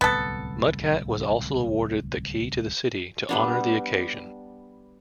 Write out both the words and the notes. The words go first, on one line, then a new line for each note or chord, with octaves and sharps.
Mudcat was also awarded the key to the city to honor the occasion.
D1 C2 B3 A4
G3 B3 D4